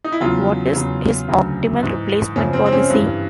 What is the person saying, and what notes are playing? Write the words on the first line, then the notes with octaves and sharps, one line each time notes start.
What is his optimal replacement policy?
D#4
E4
E2 C#3 F#3 F4
E2 C#3 F#3
D2 C#3 F#3
G#2 E3
F#2 C#3 F3 C#4
C4
C4
C#4
G2 E3